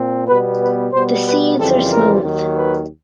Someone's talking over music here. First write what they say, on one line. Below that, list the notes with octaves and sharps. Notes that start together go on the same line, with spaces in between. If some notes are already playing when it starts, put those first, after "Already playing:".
The seeds are smooth.
Already playing: A#2 C4
B2 G3 B3 B4
B4
B2 G3 B3 C5
B4
F2 C#3 E3 G3 C4 A4
A#4
D#2 D#3 F#3
B4